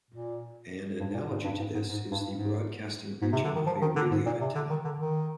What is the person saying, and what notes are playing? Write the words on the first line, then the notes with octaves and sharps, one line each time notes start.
An analogy to this is the broadcasting region of a radio antenna.
A#2
G2
A#2
G#2
G2
G#2
G#2
G#2
G2
G#2
G#2
C3
D3
D#3
F3
D#3
D3
G#2
A#2
C3
D3
D#3
D3
D#3